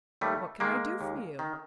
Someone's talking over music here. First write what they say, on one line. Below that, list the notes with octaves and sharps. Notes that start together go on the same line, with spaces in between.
"What can I do for you?"
D#2 G3 A3
D#3 G#3 A#3
D#2
D#3